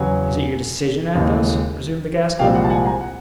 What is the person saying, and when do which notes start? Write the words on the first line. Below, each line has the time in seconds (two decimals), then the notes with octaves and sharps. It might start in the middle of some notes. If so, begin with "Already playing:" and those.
"Is it your decision, Athos?" resumed the Gascon.
Already playing: E2 C#3 F#3 F#5 G#5
1.15 D#2 C#3 E3 G#3
2.39 C2 A#2 F3 G#3 C4 F5 G5
2.55 F#5
2.64 A5
2.70 F#5 G#5
2.86 G#5 A#5
3.01 F#5